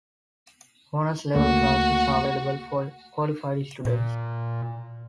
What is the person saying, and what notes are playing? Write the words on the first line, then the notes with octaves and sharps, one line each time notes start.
Honors-level classes are available for qualified students.
D2 A3 A#3 F#4
A#2